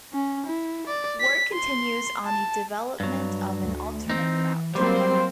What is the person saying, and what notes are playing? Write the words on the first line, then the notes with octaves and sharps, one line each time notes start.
Work continues on the development of an alternate route.
C#4
E4
D5
B6
C6
A5
G2 F#3
D2
E3 C4 D#4
F#3 G3 A#3 C4 C5